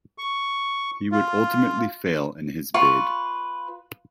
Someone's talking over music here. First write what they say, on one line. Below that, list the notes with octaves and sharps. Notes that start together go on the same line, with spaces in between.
He would ultimately fail in his bid.
C#6
F4
F4 B4 C#6